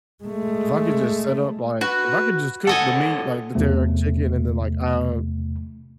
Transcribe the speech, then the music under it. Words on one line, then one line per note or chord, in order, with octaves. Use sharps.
if I could, just, set up, like if I could, just, cook the meat, like, the teriyaki chicken and then, like, uh,
G#3 A3
F#4 B4
D#2 A4 D#5 F#5 G#5
E2 C3 A3